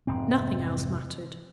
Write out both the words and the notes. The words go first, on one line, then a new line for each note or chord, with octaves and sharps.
Nothing else mattered.
F1 G#2 C4